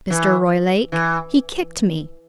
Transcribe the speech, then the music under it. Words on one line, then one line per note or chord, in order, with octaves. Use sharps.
Mr. Roylake, he kicked me.
E3
E3